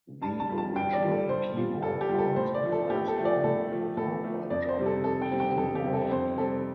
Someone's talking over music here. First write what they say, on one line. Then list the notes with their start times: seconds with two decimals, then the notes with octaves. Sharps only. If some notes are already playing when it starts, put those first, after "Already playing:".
The original keyboard parts on Firestorm were performed by Jon Dunmore.
0.22 G2 A5
0.40 A5
0.49 G3 F4
0.58 A5
0.76 G2 G5
0.93 D5
1.03 G3 F4
1.12 A4
1.29 G2 C5
1.56 G3 F4
1.83 G2 A4
2.01 G4
2.09 G3 F4
2.18 A4
2.36 A2 C5
2.54 D5
2.63 F3 A3
2.72 A4
2.90 A2 G4
3.08 A4
3.16 F3 A3
3.25 D5
3.44 A2 A4
3.70 F3 A3
3.97 A2 A4
4.24 F3 A3
4.50 F2 D5
4.69 C5
4.77 C3 G3 C4
4.86 A4
5.04 F2 A4
5.22 G5
5.31 C3 G3 C4
5.40 G5
5.58 F2 A4
5.75 G4
5.84 C3 G3 C4
5.93 A4
6.11 F2 C5
6.38 C3 G3 C4 A4